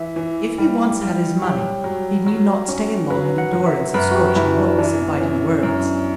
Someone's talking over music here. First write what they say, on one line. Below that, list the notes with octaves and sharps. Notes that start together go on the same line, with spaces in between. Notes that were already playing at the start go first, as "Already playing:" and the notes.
If he once had his money he need not stay long in endurance of scorching looks and biting words.
Already playing: E3 E5
E3
G3
G3
G4 C#5
F#3
F#3
C#4
F#3 B4
F#5
F#3
E5
F#2 B4
F#4
G4
F#2 E4
D4
E3 D4
B3
E3 C#4
F#2 C#4
D4